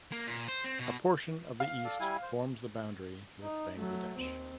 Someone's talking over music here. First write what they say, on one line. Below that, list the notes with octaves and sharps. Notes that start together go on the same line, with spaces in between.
A portion of the east forms the boundary with Bangladesh.
A#3
A#2
C5
C4
B2
F5
A4 D5
G3 E4 G#5
C5
D#4
F#3 A3
D#2 C4